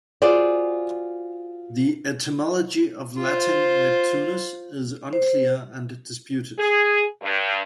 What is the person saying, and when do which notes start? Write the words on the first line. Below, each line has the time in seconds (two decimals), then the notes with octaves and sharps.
The etymology of Latin Neptunus is unclear and disputed.
0.22 F4 F#4 G#4 C5 D5
3.19 F4 C5
5.13 C5
6.59 G#4
7.22 G2